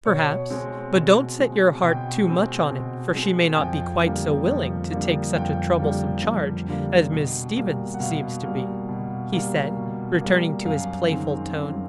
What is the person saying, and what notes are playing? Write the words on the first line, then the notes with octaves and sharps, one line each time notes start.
"Perhaps; but don't set your heart too much on it, for she may not be quite so willing to take such a troublesome charge as Miss Stevens seems to be," he said, returning to his playful tone.
B2 C#5
G#3 C4
B2
G#3 C4
B2 G5
G#3 C4
B2
G#3 C4
G#5
F2 G5
D3 G3 A#3
F2
D3 G3 A#3
F2 G5
D3 G3 A#3
F2
D3 G3 A#3
B2
G3 A#3
F#5
B2 F5
G3 A#3
B2
G3 A#3
B2
G3 A#3
F#2 F5
D#3 G#3 C4
F#2